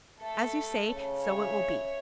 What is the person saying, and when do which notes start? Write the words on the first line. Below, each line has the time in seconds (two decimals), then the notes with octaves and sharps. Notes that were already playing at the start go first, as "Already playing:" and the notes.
As you say, so it will be.
0.20 A3 A4
0.87 C#3
1.24 C#5 E5